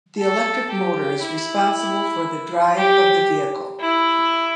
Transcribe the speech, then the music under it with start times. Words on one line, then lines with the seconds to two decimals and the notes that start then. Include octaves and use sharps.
The electric motor is responsible for the drive of the vehicle.
0.19 A4
0.71 G4
1.23 E4
2.78 G4
3.80 E4